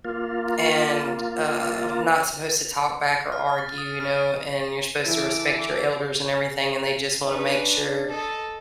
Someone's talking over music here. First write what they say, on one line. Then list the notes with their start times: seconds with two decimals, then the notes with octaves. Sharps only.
and, uh, not supposed to talk back or argue, you know, and you're supposed to respect your elders and everything, and they just wanna make sure,
0.05 A#3 F4
3.32 F6
3.58 A6
3.78 D#6
4.00 F6
5.05 E3 E4 A4 E5 D6
7.27 C#4 D4 B4
8.08 A4 D#5